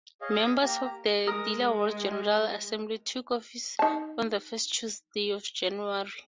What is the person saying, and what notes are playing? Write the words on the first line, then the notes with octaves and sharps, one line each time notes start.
Members of the Delaware General Assembly took office on the first Tuesday of January.
G#4 C#5 D#5 F5
A#3 G4 A#5
G#3 A#4 D#6
D#4 A5